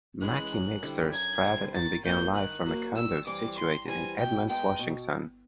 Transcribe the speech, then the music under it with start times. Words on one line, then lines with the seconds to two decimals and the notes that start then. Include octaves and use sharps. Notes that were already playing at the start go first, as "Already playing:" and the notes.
Mackie Mixers sprouted and began life from a condo situated in Edmonds, Washington.
0.21 E3 G#3 C#4 E4 F#6
0.52 F#2
0.83 D3 G3 C4 E4
1.13 F#2 G#6
1.44 D3 G3 C4 E4
1.74 D#3 A6
2.05 F#3 A#3 G6
2.35 D#3 F#6
2.66 F#3 A#3
2.96 G2 E6
3.26 E3 G3 C4 D6
3.57 G2 C6
3.88 E3 G3 C4 G#5
4.18 B2 G5
4.49 G#3 B3 D#4 G5
4.79 B2